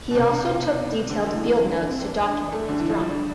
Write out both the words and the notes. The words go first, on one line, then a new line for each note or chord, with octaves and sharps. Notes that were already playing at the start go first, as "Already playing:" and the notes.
He also took detailed field notes to document his drawings.
B2
C3 D4
C4
B3
D3 G3
D3
E3 A3
C4
D4
C4
D4
A3
D3
E3
F3
G3